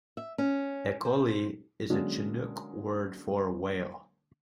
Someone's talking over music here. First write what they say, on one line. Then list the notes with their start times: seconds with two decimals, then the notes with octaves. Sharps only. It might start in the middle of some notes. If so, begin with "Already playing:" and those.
"Ehkoli" is a Chinook word for "whale".
0.17 E5
0.38 C#4
1.05 C5
1.90 D3 F#3 G#3 A#3 C#4 D4